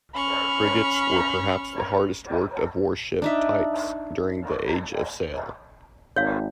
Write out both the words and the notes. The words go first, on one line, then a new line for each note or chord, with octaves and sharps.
Frigates were perhaps the hardest-worked of warship types during the Age of Sail.
C#4 B5 C#6 F6
D4 D#4 E5
G#1 C#5 F5